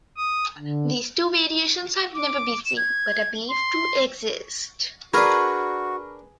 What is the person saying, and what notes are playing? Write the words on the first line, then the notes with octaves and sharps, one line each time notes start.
These two variations have never been seen, but are believed to exist.
D#6
D3
D6
E7
G#6
C6
D4 F#4 G#4 A#4 B4 B5 C#6 F6